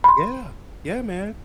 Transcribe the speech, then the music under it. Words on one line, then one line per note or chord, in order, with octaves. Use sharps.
Yeah. Yeah, man.
B5 C6